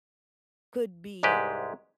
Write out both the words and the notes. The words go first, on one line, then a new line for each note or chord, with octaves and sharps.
could be
C2 G#2 G#3 G4 B4